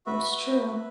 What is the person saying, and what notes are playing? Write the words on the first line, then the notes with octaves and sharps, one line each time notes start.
that's true.
F#4 B4 E5
F#4